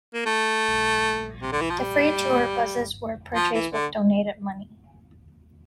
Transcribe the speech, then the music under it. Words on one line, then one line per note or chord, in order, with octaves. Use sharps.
The three tour buses were purchased with donated money.
A#3
A3
C3
D3
E3
F3
G3
F3
E3
D3